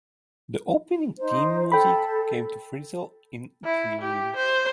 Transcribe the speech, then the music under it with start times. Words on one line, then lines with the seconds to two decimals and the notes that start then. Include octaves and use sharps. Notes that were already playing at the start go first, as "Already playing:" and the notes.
The opening theme music came to Frizzell in a dream.
1.18 D#4 C5
1.72 A4 G5 B5
3.64 E4
4.01 G4
4.36 C5